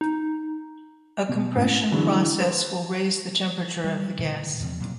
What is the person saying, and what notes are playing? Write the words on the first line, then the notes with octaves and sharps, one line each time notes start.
A compression process will raise the temperature of the gas.
D#4
B2
A1
D3 E3 F#3 G#3
B4 C5
G3
A#2 D3 E3 G#3
E2 C3 F3 C4
A#2 F#3